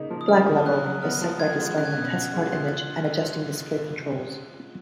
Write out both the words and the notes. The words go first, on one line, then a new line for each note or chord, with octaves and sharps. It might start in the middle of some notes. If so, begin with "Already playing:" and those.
Black level is set by displaying a testcard image and adjusting display controls.
Already playing: C#3 A#3 D#4
F3
D#6
C#4 F6
C#3
C#3 F#6
F#3
B3 F6
F3
F4 G#6
G#3
C#4 F#6
G#6
B2 F#6
F#4
G#3
F4 F#6